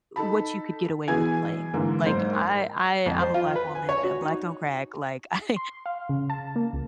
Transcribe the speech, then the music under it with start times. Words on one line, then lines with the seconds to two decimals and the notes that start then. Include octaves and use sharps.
w what you could get away with playing, like, I I I'm a black woman, and black don't crack, like, I
0.16 D#4 A4 A5 B5
1.08 B2 E3 G#4 G#5 G#6
1.74 G#2 D3 E3 A#3
2.06 F#1 G#2 C5
3.06 F2
3.21 C5
3.34 F4
3.56 B4
3.75 G#5
3.89 C#5
4.03 F#4
4.22 D#4
5.56 C6
5.86 F5
6.09 C#3
6.30 A5
6.56 A#3
6.73 C#2